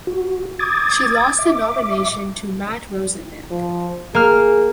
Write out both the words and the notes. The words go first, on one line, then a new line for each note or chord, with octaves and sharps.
She lost the nomination to Matt Rosendale.
F#4
D6 D#6 G#6 A6
E5 D6
F3
A#3 G#4 F6